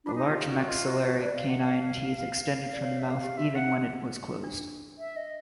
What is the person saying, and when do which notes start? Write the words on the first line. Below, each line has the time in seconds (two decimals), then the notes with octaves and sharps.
The large maxillary canine teeth extended from the mouth even when it was closed.
0.05 D4 F4
0.14 D#4 F#4
0.28 F4 G4
0.42 A4
0.50 F#4 C#5
0.69 F4 D#5
0.80 D#5
0.86 F#4 E5
1.04 F#4 D#5
1.22 B4 D5
1.35 F5
1.49 F#5
1.62 F5
2.73 D5
2.83 C#5 F5
2.97 C#5 E5
3.10 G#4 F5
3.23 G4
3.37 F#4 E5
3.55 F#5
4.44 D4
4.98 E5
5.16 D#5